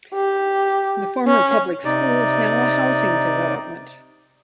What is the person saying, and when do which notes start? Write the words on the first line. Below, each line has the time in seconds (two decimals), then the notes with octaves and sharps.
The former public school is now a housing development.
0.14 G4
1.27 C#4
1.85 C3 D#4 D5